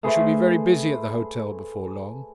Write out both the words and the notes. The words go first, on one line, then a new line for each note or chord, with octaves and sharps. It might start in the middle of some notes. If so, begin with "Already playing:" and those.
We shall be very busy at the hotel before long.'
A3 G#4 B4 C5